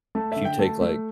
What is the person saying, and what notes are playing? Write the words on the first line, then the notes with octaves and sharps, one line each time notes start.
if you take, like
A3 A5
D3 E5
G5
A3 A5
A3